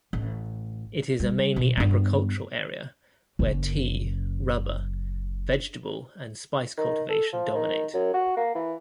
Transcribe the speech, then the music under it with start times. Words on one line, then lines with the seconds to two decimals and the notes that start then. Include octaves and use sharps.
It is a mainly agricultural area, where tea, rubber, vegetable and spice cultivation dominate.
0.13 A1
1.20 G3
1.56 B2
1.77 G2 B3
3.39 F#1 F#2
6.78 D#3
7.09 A4
7.33 F3
7.55 D#3
7.94 F#2
8.14 F#4
8.37 A#3
8.55 E3